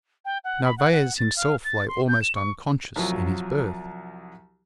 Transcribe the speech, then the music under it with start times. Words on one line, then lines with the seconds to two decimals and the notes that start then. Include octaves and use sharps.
Narvaez himself lay almost unconscious in his berth.
0.25 G5
0.44 F#5
0.64 B5
0.78 F#5
0.93 F#5
1.18 A6
1.36 F5
1.64 A6
1.88 C6
2.08 G6
2.22 E7
2.35 C#6
2.96 C2 F3 F#3